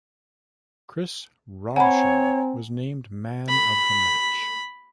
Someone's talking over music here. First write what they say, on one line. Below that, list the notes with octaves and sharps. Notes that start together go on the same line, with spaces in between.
Chris Robshaw was named man of the match.
C4 C#5 F#5 G#5 A#5 B5
B5